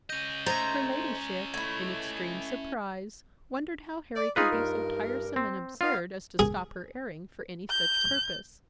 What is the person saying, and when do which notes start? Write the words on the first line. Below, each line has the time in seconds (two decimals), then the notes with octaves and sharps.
Her Ladyship, in extreme surprise, wondered how Harry could be so tiresome and absurd as to stop her airing for any such purpose.
0.10 C#4 D#5 G6 D#7
0.46 A3 D#4 C5 A#5 G#6 A6
1.54 A3 E4 G#6
4.15 D5
4.36 D#4 F4 G#4 B4
4.51 G2 A#4
5.36 C4
5.81 B3 F4 F5
6.39 G#4
7.70 G6